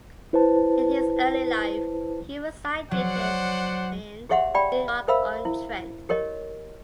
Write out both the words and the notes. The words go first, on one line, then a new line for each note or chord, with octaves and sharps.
In his early life, he resided in Newark-on-Trent.
E4 B4 C5 A5
F#3 C5 D5 F#5
G4 G#4 C#5 E5 F#5 C6
G4 D5 G5 B5
A#4 C5 E5 F5 B5 E6
E4
G4 A#4 C#5 D#5